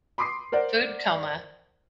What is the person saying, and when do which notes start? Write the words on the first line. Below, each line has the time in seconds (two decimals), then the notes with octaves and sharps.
Food coma.
0.18 B5 C6 D6 D#6 C7
0.52 A#4 C5 D5 F#5